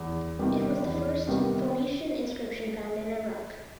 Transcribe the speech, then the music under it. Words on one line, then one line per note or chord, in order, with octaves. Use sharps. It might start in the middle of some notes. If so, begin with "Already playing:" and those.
It was the first Phoenician inscription found in Iraq.
Already playing: E2
C3 D#3 G3 B3
E2
C3 D#3 G3 B3